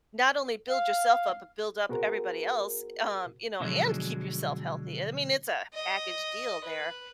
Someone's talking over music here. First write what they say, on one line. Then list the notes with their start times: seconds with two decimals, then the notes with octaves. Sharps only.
not only build yourself up, but build up everybody else, um, you know, and keep yourself healthy, I mean, it's a package deal there,
0.70 F5
1.89 B3 F#4 G#4 A#4 C5
3.60 B2 D3 F3 F#3 G#3
5.73 D#5
6.65 B4